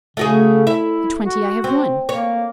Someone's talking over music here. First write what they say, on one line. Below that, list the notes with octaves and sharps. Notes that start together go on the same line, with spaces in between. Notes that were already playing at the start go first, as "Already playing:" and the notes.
"The twenty I have won."
C#3 A3 F#4 G#4
E4 E5
F#4
C4
A#3 C#5